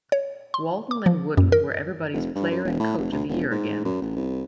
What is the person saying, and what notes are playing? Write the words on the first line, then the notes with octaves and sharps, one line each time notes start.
Walton and Wooden were everybody's Player and Coach of the Year again.
C#5
C6
D6
F3
F#2
A#4
F1
G2
F#2
E1
A2
F1
D2
E1
G#2
F#2
A1
C2